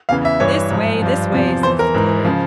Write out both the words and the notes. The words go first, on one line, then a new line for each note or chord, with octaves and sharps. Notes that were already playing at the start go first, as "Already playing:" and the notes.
'This way, this way,' says the porter.
E2 C#3 E3 F5
E5
G2 E3 C#5
G#2 F3
G2 F3
E2 C3 F3
E2 E3 C5
A#4
G#2 E3
C#3 F3